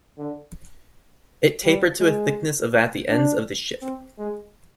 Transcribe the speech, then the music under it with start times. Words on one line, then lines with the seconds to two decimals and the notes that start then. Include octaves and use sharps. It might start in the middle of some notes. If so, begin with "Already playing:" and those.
It tapered to a thickness of at the ends of the ship.
0.18 D3
1.64 G3
2.00 G#3
3.10 D4
3.82 C4
4.18 G#3